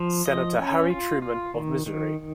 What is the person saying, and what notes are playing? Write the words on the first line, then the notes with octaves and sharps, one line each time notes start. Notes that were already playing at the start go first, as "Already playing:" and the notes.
Senator Harry Truman of Missouri.
Already playing: F3
D#5
C#4
F4
F4
D#3
D#3